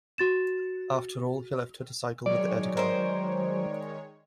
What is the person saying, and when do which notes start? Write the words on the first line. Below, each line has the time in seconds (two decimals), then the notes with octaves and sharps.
After all he left her to cycle with Edgar.
0.18 F#4 A6 E7
2.26 D#3 F#3 G#3 C#5 D5
2.77 A#4 C5